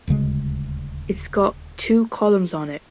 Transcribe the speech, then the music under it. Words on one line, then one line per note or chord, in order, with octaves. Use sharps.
It's got two columns on it.
D#1 D2 C#3 G#3